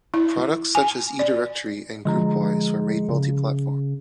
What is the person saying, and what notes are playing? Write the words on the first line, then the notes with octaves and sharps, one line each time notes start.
Products such as eDirectory and GroupWise were made multi-platform.
E4
G#5
D5
D3 F3 G#3 A#5
C#3